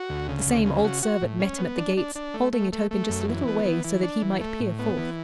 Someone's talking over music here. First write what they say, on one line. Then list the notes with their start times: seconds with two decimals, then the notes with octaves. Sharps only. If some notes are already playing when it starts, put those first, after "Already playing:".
The same old servant met him at the gates, holding it open just a little way so that he might peer forth.
Already playing: F#4
0.09 D2
0.28 C#3
0.46 D2
0.66 C#3
0.84 F#4
1.03 F#4
1.21 A2
1.40 C#4
1.59 B3
1.78 D4
1.97 D4
2.15 D4
2.34 A3
2.53 A3
2.72 A3
2.91 A3
3.09 F#2
3.29 E3
3.48 B3
3.65 E3
3.85 E3
4.03 D4
4.22 E3
4.41 A3
4.60 A2
4.79 B3
4.97 E3